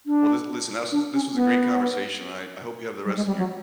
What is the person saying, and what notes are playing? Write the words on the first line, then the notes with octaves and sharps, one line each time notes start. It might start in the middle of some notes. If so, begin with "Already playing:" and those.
Well, this Listen, tha s this was a great conversation. I I hope you have the rest of your
D4
D4
C#4
B3
G3
G#3
G3
F#3